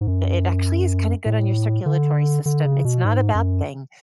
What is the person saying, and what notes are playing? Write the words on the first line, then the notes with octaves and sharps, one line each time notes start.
it actually is kinda good on your circulatory system. It's not a bad thing,
G#2
F#2
A2
D3
D3
C#3
B2
G#2
F#2